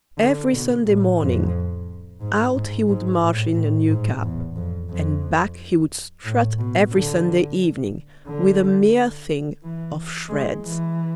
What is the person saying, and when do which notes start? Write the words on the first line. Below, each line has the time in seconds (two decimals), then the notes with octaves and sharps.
Every Sunday morning out he would march in a new cap, and back he would strut every Sunday evening with a mere thing of shreds.
0.18 D3
0.52 B2
0.85 A2
1.19 F2
2.20 G#2
2.54 G#2
2.88 G#2
3.22 A2
3.55 A2
3.88 G#2
4.23 E2
4.56 F2
4.90 F2
6.25 A2
6.58 B2
6.92 D3
8.28 D3
9.63 E3
10.29 G#3
10.64 E3